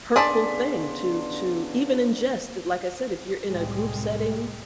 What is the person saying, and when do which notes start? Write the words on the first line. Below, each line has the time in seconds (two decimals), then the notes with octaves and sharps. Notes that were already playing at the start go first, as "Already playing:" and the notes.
hurtful thing to to even ingest, like I said, if you're in a group setting
0.16 C#3 B3 D4 G#4 D5 A5 C6 B6
3.45 C2 A2 C3 G3 G#3